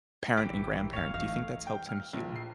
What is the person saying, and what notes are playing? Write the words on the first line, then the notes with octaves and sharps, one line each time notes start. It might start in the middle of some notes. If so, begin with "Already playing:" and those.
parent and grandparent, do you think that's helped him heal?
A#1 D#3 E3 G4
F1 G2 C#5 F5
E3 A3 D#4 F5
G5
F6
A#1
C7